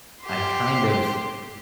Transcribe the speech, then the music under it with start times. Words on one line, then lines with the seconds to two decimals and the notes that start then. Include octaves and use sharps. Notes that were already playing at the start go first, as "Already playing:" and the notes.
I kind of
0.23 G4 C6